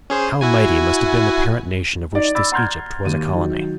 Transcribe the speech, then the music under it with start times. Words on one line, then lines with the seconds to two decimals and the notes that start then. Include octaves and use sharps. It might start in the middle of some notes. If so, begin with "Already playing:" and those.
And how mighty must have been the parent nation of which this Egypt was a colony!
0.10 C#4 G#4 C5
0.41 E4 F#4 G#5
2.13 D#4 D5
2.35 D5 B5 D6 E6 A6
2.52 F#5 A#5 C6 F6 G6 G#6
3.05 D#2 D#7
3.34 D#3 F#3